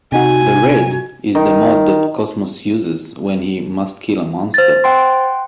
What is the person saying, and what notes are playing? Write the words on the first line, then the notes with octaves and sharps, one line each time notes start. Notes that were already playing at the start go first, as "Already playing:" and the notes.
The red is the mode that Cosmos uses when he must kill a monster.
C3 D#4 F#4 G#5
D#3
C5 A6
F#5 G5 C6